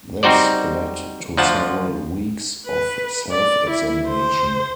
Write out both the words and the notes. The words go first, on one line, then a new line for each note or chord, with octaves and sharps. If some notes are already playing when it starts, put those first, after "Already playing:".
This led to several weeks of self-examination.
G3 C4 D#4 F#4 C5 D5
D2 F3 F4 F#5 A5
B4
D5
E4
C5